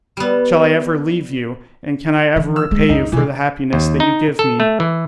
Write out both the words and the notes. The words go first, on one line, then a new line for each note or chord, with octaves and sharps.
Shall I ever leave you, and can I ever repay you for the happiness that you give me?
G3 B3
D3 E3
E6
G#3
C#2 F#2 D#4
C3 E3 G#3
D#2
D#4
A4
A3
E3